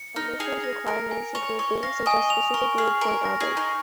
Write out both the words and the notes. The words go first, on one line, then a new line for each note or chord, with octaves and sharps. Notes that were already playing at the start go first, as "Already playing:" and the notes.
Admissions requirements include things such as a specific grade-point-average.
Already playing: C#7
D#4 F6
G#4 F7
A#6
A#4 A#6
G#5
C#5 F7
C#5 C#6
F5 A#6
D#5 G#5
F7
A#4 C#6
G#4 F6
A#4 G#5
A#6
G#4
C#6
D#4